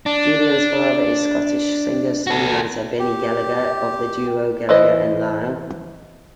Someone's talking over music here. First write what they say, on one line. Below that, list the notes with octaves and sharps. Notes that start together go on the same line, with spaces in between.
Julian's father is Scottish singer-songwriter Benny Gallagher, of the duo Gallagher and Lyle.
D4
F#4 A4
G4
E3 B4 C5 D#5